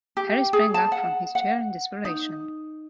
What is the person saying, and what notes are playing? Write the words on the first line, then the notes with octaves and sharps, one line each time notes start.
Harry sprang up from his chair in desperation.
G4
G#4
A5
F#5
F#5
D#4